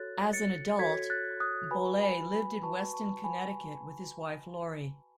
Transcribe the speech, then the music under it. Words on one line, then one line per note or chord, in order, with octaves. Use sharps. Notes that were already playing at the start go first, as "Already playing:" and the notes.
As an adult, Bolle lived in Weston, Connecticut, with his wife, Lori.
Already playing: F#4 A4 C#5 F#6 A6
A6 C#7
F#4 A4 C#5 G#6 B6
F#6 A6
D#6 F#6
F#4 B4 G#5 B5
G#5 B5
G#5 B5
F#4 B4 A5 C#6
A5 C#6
G#5 B5